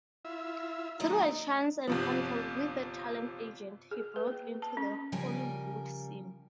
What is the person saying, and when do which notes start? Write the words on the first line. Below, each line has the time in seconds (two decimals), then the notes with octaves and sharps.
Through a chance encounter with a talent agent, he broke into the Hollywood scene.
0.25 E4 F4 E5
1.00 D#2 F#3 A3 D#4
1.87 G1 C3 F3
3.91 G#4
4.16 B4
4.27 A#3
4.62 A5
4.77 C#4
5.12 C#3 F3 G3 A#4 G#5